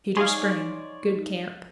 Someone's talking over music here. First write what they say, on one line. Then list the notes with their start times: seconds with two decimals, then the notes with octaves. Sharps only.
Cedar Spring.--Good camp.
0.17 D#4 G#4 C#5 D5 F5 C6